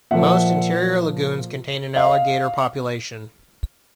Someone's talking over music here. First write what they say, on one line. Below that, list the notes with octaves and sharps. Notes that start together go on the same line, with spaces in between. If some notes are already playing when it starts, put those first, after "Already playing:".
Most interior lagoons contain an alligator population.
A#2 F3 A#3 E5 F#5
D#5 F5